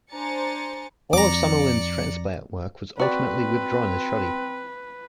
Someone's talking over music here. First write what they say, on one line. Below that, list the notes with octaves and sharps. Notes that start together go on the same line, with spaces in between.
All of Summerlin's transplant work was ultimately withdrawn as shoddy.
D4 C5 G#5 A#5 A6 C#7
F2 D5 A#5 D6 C#7
C4 F#4 B4 D5